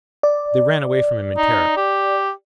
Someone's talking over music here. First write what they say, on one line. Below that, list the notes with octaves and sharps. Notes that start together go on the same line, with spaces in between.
They ran away from him in terror.
D5
D#4
G4